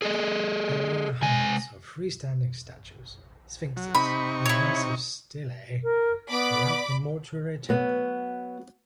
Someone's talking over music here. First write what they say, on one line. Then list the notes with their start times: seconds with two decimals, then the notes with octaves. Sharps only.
There are hundreds of freestanding statues, sphinxes, and massive stelae throughout the mortuary temple.
0.02 G#4 A4 D#5
1.22 C3 G#3 G#5
3.77 F#3
3.95 C3 D#4 B5 C#6
4.46 E4 C#5
5.83 A#4
6.29 B3 D5 B5 D6
7.69 F#3 B3